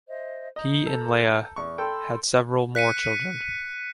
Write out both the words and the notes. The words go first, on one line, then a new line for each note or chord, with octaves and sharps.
He and Leah had several more children.
C5 D#5 E5
D#5 A#5 G6
A4
E2 C#6
A4 G5 B5 C6 E6
F#6 B6 C#7 D#7